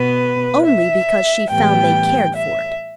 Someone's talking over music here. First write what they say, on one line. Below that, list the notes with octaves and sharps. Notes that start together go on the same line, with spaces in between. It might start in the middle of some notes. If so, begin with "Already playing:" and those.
Only because she found they cared for it.
Already playing: B2 B3 B4
E5
A2 E3 G3 B3 G5
E5